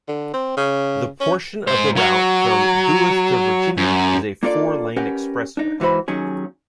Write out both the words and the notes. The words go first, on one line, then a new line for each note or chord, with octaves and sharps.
The portion of the route from Duluth to Virginia is a four-lane expressway.
D3
C4
C#3
C#4
G#2 C5
F#3
F#2
A#3 D4 F4 A4 C#5 D5
C#4 G4 A#4 B4 F#5
D4 D#4
G#2 E3 F#4 C5 B5
D#2 D#3 F#3 C#4 G#4